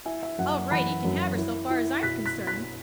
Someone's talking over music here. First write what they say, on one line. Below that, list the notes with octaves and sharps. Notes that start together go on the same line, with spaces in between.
All right, he can have her so far as I am concerned.
E4 E5 G#5
E5
F#2 F#5
E3 F#5 B5
F#2
E4
E4
B2 F#6 B6
F#6 B6
B2
F#6 B6